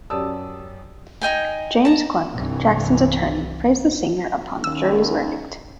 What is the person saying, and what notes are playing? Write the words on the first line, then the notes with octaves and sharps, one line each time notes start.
James Klenk, Jackson's attorney, praised the singer upon the jury's verdict.
F#2 G4 D5 A5 D#6 E6
D#4 D#5 G5 G#5
A5 A#5
C2 G2 E3
D#2 D#3 C#4 E6